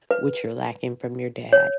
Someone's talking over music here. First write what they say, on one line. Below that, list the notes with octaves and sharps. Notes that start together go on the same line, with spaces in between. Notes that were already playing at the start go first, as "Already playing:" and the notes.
what you're lacking from your dad."
B4
C#5